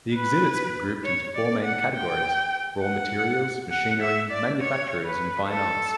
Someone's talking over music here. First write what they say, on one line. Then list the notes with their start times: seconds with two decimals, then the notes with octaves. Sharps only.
The exhibits were grouped into four main categories-Raw Materials, Machinery, Manufacturers and Fine Arts.
0.15 B4
1.04 C#5
1.34 D5
1.63 F#5
1.94 G5
2.83 F#5
3.71 F#5
4.00 E5
4.30 D5
4.60 C#5
5.05 B4
5.49 A4